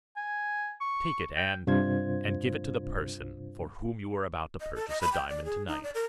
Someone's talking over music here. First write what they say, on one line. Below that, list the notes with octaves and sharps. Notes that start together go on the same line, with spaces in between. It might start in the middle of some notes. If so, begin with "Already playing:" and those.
Take it, and--and give it to the person for whom you were about to purchase a diamond to-night.
G#5
C#6
G5
G2 C3 D4 F4 C5 G#6
D#5
A4
D#5
B5
G5
D5
G#4
D#4
D5
A#4